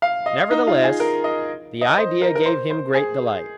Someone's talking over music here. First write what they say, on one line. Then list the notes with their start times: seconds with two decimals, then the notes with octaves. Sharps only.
Nevertheless, the idea gave him great delight.
0.02 F5
0.26 D#5
0.51 D#4
0.67 F4
0.84 G#4
1.00 A#4
1.24 D#5
1.81 D#5
1.98 C5
2.22 A#4
2.35 A#4
2.46 C5
2.70 C5
2.94 G#4